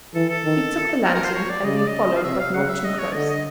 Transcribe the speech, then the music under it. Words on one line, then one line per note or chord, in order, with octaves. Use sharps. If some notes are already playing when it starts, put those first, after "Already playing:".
He took a lantern and we followed, but not too close.
E3 A4
A4
D#3
A#4
A#4
C5
C#5
D5
C#3 D#5
D5
D#5
F5
C3 E5
F5
C#3 F#5
E5
G3 D#5
C#5
D3 D#5
D#5